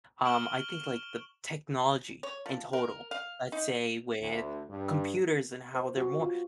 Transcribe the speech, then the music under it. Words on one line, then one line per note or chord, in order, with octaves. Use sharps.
Um, I think like the technology in total, let's say with computers and how they're more
C#6 F6 D7 E7 F#7 G7
C#5
F3
A#4
F5
D#4
D2
G2
C5
F#4
F4